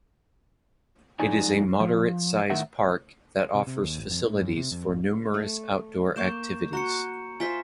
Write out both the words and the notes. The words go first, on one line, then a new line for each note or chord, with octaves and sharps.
It is a moderate-size park that offers facilities for numerous outdoor activities.
F2 G#3 D#4 D5 G#5
F3
A2 D#3 A#4 E5 F#5
C3
C3
D#2
G#1
F2
A2
F#2
C3
F2
G#1
A3
A#3 C#6 D6 G6 E7
F#4 A#5 C#6 C#7
F4 C5 E5 G#5 B6